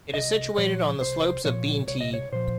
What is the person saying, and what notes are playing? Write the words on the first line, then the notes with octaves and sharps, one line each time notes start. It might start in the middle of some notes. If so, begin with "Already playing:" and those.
It is situated on the slopes of Beentee.
C2 D#5
A#2 F3 C#5
C2 C5
A#2 F3 C#5
C2 C#5
D#5
C#5
A#2 F3 C5